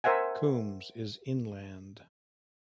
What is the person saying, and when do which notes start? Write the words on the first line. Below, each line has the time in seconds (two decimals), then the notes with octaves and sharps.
Coombes is inland.
0.04 A#4 C5 E5 F#5 G#5